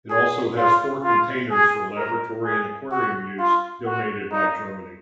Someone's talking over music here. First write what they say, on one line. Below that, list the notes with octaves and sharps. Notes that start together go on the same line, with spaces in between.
It also has four containers for laboratory and aquarium use donated by Germany.
G#4
F4
F4
G#4
A#4
G#4
F#4
F4
F#4
D#4